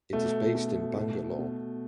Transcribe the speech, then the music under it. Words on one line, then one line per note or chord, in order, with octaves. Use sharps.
It is based in Bangalore.
B2 A3
B2 A3
B2
B2